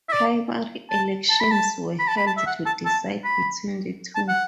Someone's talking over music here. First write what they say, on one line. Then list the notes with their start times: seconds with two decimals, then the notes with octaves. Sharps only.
Primary elections were held to decide between the two.
0.09 E5
0.12 D5
0.91 A5
1.30 A5
1.40 B5
1.51 A5
1.99 B5
2.07 A5
2.17 B5
2.27 A5
2.37 E5
2.47 F#5
2.66 A5
2.85 A5
3.24 B5
4.15 A5
4.28 F#5